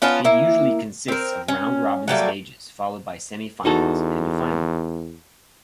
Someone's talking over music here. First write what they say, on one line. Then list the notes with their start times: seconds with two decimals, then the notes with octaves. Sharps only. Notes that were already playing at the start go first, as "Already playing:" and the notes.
It usually consists of round-robin stages, followed by semi-finals and a final.
0.02 B3 C#4 F4 A5
0.24 A#3 E4
1.08 C4 A#4
1.48 C#4
2.08 F#3 G3 A3 A#3
3.65 E2 D#4 F#4 A4